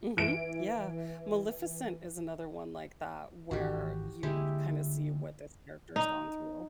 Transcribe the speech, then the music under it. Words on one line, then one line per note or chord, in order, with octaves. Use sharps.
Mhm. Yeah. Maleficent is another one like that where you kinda see what this character has gone through.
E3 D7
G#1 E3 F#4 G4
D3 G#3 A#3 E4 G4
D#4